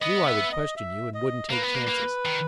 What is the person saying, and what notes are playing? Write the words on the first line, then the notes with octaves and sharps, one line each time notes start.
Knew I would question you and wouldn't take chances.
B3 D#5
E5
D#5
E5
D#5
A#3 B4
B3
A#3
A#3
D#3